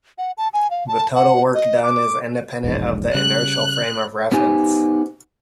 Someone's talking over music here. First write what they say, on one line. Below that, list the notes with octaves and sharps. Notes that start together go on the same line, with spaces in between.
The total work done is independent of the inertial frame of reference.
F#5
A5
G#5
F5
A5
F#5
D#5
D6
E1 A#1 G#2
C#3 G3 F#6
B3 C#4 D#4 G4 C5 G#5